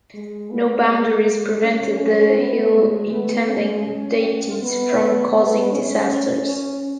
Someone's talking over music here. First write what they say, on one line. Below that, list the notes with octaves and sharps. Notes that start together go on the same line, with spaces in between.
No boundaries prevented the ill-intending deities from causing disasters.
G#3
B3
G#3
C#4
C#4
B3
G#3
B3
C#4
B3
B3
C#4
C#4